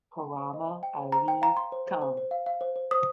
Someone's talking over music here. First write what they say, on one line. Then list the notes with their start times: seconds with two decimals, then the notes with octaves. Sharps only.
Keramat Ali Tang.
0.23 G5
0.39 C5
0.54 D#5
0.68 C5
0.83 G5
0.98 C5
1.12 C5 A#5
1.27 C5 G5
1.42 F5 A#5
1.57 F5 C6
1.72 C5
1.87 C5
2.02 C5
2.17 C5
2.31 F5
2.46 F5
2.61 C5
2.76 C5
2.91 C5 D#6